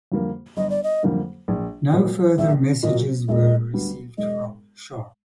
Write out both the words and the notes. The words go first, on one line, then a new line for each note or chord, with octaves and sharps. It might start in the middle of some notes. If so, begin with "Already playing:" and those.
No further messages were received from "Shark".
F2 D3 G3 A#3
G1 D#5
D5
D#5
F2 D3 G3 A#3
A#1
A#2 F#3
A#1 E5
A#2 F#3 D#5
E1 D#5 E5
D2 D3 G3 B3
E1 D#5